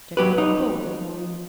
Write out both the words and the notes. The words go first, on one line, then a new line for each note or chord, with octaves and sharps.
Jack felt bold that morning.
F#3 G4 B4
D#4